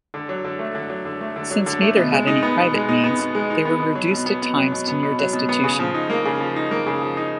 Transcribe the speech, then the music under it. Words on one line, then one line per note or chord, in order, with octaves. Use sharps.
Since neither had any private means, they were reduced at times to near destitution.
D3
F#3
D3
A3
D3
F#3
D3
A3
D3
F#3
D3
A3
B2
G#3
D#4
B3
B2
G#3
D#4
B3
B2
G#3
D#4
B3
B2
F#3
B2
B3
B2
F#3
B2
B3
B2
F#3
B2
B3
C#3
F3
D#4
A#3
C#3
F3
D#4
A#3
C#3
F3
D#4